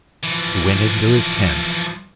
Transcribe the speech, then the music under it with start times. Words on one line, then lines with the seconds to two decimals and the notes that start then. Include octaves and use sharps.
He went into his tent.
0.23 E3 F3